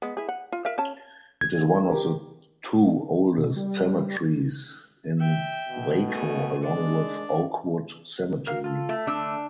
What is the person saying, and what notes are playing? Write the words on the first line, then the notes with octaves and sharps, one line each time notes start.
It is one of the two oldest cemeteries in Waco along with Oakwood Cemetery.
G#3 B3
E4 G#4
F#5
F4
A#4 E5 F5
C#4 A5
G#6
G4 A#4
B2
G3
E5 G5
B2
A3 G#5
G#3 D4
A#4 F5
F4 A4
A3
D3 A3 D4 E6